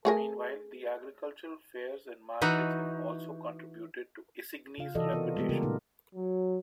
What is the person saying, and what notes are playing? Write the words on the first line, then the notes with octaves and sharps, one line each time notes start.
Meanwhile, the agricultural fairs and markets have also contributed to Isigny's reputation.
A3 G#4 A#4
E3 D#4 F#4
C#3 F4 F5
C3 E3 F#4 A4 D5 D#5
B3 F4 A#4
G3 G#3 B3 F4 G4
C#3 A3 F4 A4 A#4
A#2 G3 A3 D#4 A#4
F#3